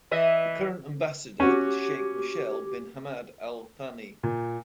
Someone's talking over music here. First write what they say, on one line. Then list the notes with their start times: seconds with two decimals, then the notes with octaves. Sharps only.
The current ambassador is Sheikh Meshal bin Hamad Al Thani.
0.11 E3 D#5 E5
1.40 C#4 F#4 G4 D6
4.23 A#2